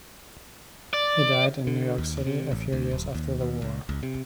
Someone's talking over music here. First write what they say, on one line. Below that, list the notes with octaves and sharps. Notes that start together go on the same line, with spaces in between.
He died in New York City a few years after the war.
D5
D3
D#2
C3
A1
D2
D1
D#2
D#2
C#2
C#2
C3